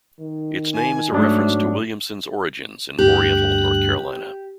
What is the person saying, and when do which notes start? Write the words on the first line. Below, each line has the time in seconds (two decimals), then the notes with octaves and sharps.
Its name is a reference to Williamson's origins in Oriental, North Carolina.
0.20 D#3
0.74 G#5
1.12 G#2 F#3 A3 D4
2.98 D2 G2 G4 F#6